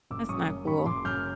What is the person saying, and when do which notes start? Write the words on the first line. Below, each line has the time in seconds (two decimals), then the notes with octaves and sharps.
That's not cool.
0.11 F#1 D6 E6
0.29 F#2 C#6 D#6
0.48 F#2
0.67 F#2 B5 C#6
0.86 F#1 C6 D6
1.05 F#2 F6 G6